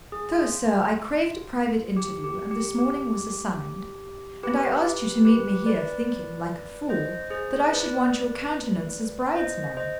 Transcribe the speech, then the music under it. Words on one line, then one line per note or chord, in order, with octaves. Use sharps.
So, sir, I craved a private interview, and this morning was assigned; and I asked you to meet me here, thinking, like a fool, that I should want your countenance as bride's-man.
G#4
F4
G4
G4
G4
G4
G4 B4
G4 B4
B4 D5
C5 D#5
G#4 C5
B4 D5
C5 D#5
C5 D#5